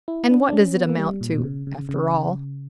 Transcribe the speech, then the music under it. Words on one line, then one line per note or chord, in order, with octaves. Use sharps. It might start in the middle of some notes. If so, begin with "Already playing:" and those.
And what does it amount to, after all?
E4
D4
D4
C#4
B3
A#3
G3
A#2
B2
C#3
C#3
C#3